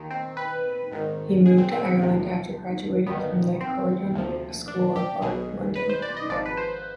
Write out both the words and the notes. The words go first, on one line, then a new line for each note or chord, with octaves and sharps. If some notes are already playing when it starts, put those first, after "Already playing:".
He moved to Ireland after graduating from the Croydon School of Art, London.
Already playing: D#2 D#3
C4
B4
G#1 G#2 D#3
G#4
C4
C4
B3
D2 C3 F3
G1 G2 D#3 B3
C4
D2 C3 F3
D4
G4
B1 B2 G#4
B4
C5
D5
D#5
G#1 G#2 F3 D5
B4
C5